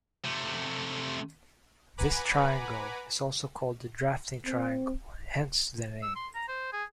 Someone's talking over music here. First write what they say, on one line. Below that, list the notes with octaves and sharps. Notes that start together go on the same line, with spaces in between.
This triangle is also called a drafting triangle, hence the name.
C3 A3
B4 F#5 G#5 A#5 B5 D6
C4
E6
C6
A#5
C5
G#4